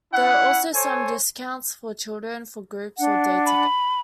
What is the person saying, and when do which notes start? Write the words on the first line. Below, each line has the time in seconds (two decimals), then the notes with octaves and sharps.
There are also some discounts for children for groups or day tickets.
0.12 C#4 E4 F#5
0.74 A4 C5 C#5 G#5
2.98 D4 F#5
3.46 B5